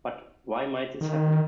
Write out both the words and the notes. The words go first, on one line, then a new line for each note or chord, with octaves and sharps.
But, why might this happen?
D#3